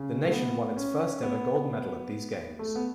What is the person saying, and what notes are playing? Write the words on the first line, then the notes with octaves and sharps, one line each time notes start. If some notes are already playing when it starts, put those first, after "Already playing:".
The nation won its first ever gold medal at these Games.
Already playing: C#3
A3
B3
C#4
B3
A3
B3